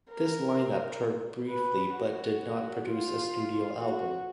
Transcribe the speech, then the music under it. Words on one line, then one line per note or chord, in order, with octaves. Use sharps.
This line-up toured briefly but did not produce a studio album.
A#4
B4
F#4
F4
F#4